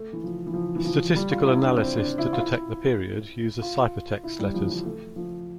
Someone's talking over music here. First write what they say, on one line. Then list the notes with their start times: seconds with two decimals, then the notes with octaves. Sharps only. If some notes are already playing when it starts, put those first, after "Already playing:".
Statistical analysis to detect the period uses ciphertext letters.
Already playing: A3
0.13 E3
0.24 F3
0.46 E3
0.54 F3
0.76 E3
0.85 F3
1.16 G3
1.31 F4
1.46 E4
1.62 D4
1.77 C4
1.97 D4
2.18 E4
2.33 F4
2.39 E4
3.62 F4
4.23 E4
4.39 G3
4.54 F3
4.62 E3
4.69 F3
4.84 A3
5.16 F3